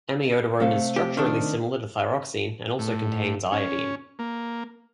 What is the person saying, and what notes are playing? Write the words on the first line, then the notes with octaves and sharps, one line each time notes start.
Amiodarone is structurally similar to thyroxine and also contains iodine.
C3 A3 F5
G4
D#3 D4
A2
C#4
A#3